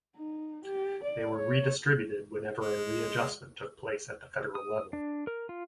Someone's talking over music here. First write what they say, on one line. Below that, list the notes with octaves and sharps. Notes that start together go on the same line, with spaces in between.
They were redistributed whenever a readjustment took place at the federal level.
D#4
G4
D5
C#5
G#3
D#6
D4
A#4
F4